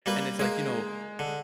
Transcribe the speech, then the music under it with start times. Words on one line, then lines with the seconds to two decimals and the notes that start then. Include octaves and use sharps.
And it's like, you know,
0.06 G3 A#3 B4
0.39 G#3 A#3 G#5
1.19 D3